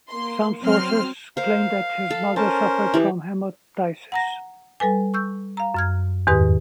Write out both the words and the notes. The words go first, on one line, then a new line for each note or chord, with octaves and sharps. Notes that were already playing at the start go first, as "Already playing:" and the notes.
Some sources claim that his mother suffered from hemoptysis.
A#3 C6
F#3 C4 C6 F6
A#4 C5 F5
A4
C#4 A#4 C5 A5
E3 G4
F#5 A#5 A#6
G3 A4 B4 G#5
C#6 E6 G6
F5 A#5
F#2 F6 G#6
E2 G#2 D#3 G4 B4 D#6